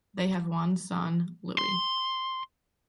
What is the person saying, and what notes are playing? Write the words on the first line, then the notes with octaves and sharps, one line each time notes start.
They have one son, Louis.
C6